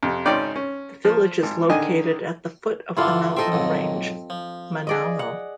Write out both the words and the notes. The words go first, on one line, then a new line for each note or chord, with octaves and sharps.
The village is located at the foot of the mountain range Mainalo.
F2 C3
G#1 C#3 C#4 D#4 D5 G5
C#4
F3
G#1
D3 D#3 D#5 G#5
G2 D3 E3 E4 F4 A4
C4 D#4 A4 D#5 E5
B1 F2 G#2
F3
G#4 D5 D#5
F#5